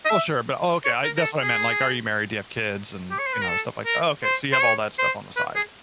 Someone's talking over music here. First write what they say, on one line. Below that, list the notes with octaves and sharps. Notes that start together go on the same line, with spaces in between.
Well, sure, but oh okay, I that's what I meant, like, are you married? Do you have kids, and, you know, stuff like oh, okay, so you have all that stuff on the side.
D#5
E5
C#5
A#4
A#4
A4
G#4
G4
C#5
C5
B4
A#4
A4
A#4
C5
C5
C#5
C5
B4
G#4